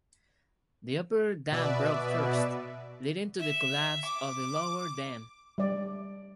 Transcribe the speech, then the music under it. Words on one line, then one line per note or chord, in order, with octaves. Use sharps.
The upper dam broke first, leading to the collapse of the lower dam.
B2 B4 D5 E5
E5
D6
G3 D5